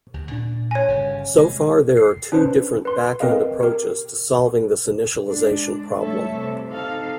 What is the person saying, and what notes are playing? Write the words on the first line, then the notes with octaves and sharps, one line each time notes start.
So far there are two different backend approaches to solving this initialization problem.
D2
A#2 D4
C#5 G#5
G1 C#3
C3 G#3
C7
C#4 D4 B4 C5
B4 C6
C4 A#4 B4 D#5 F5
G4 A#4
G#3 D4
F2 G3 A3 A4 C#5 E5
C3
C3 D#4 A4 F5